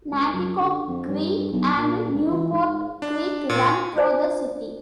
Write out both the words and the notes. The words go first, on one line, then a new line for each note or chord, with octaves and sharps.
Nanticoke Creek and Newport Creek run through the city.
C#2
F#2
D3
F2
G2
G2
B1
A#2
C#2
E3
G#2
D4
A#2
D4 F4 C5 D5 G#5